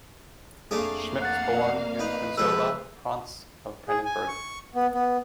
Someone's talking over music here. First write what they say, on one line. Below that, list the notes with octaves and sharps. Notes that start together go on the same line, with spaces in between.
Schmidt was born in Prenzlau, Province of Brandenburg.
F2 A3 A#3 D4 G#4 F5
F#5 F#6 A6
A#4 D5
D#4 B4
F3 G#3 A4 B4 E6
G#4
G#5
C#6
B3
B3